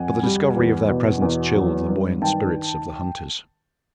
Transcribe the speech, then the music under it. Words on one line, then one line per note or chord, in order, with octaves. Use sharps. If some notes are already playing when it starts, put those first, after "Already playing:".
But the discovery of their presence chilled the buoyant spirits of the hunters.
Already playing: F2 F#5 G#5
G3
E2
B2
E2
F#3
G2
D#3 G5 A5